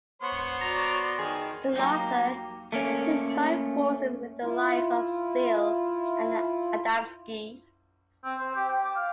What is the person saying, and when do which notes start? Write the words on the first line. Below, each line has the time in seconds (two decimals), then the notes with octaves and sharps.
Soon after, he joined forces with the likes of Seal and Adamski.
0.22 B3 C5 C#5 F#5 C6
0.61 F#4 D5 A#5
1.19 D#3 G#4
1.75 F#3 A#3 D#4 G4 A#5
2.72 A3 A#3 C#4
4.43 E4 F4
8.25 C4
8.40 C5
8.55 G4
8.69 G5
8.84 D6
8.96 F5